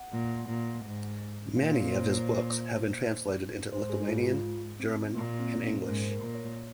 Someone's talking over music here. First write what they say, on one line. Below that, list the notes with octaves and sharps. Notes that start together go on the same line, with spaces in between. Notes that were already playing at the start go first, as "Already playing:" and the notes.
Many of his books have been translated into Lithuanian, German and English.
Already playing: F#5
A#2
A#2
G#2
A#2 F5
C#5
C5
C#5
C5
G#2 C5
G#4
F4
F4
C4
A#2 A#3
C4
C#4
A#4
G#2 C5
A#4
A#2
C#5